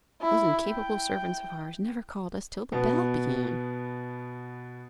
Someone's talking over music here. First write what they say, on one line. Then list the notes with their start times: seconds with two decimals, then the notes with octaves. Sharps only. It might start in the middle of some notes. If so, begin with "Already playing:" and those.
Those incapable servants of ours never called us till the bell began.
0.21 E4
0.68 G5
2.72 B2 B3